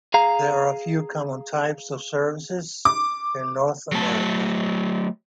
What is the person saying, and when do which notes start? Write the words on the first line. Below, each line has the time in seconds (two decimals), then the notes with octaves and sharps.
There are a few common types of services in North America.
0.14 G#4 F5 A#5
2.85 D6
3.92 F#3 A3 A5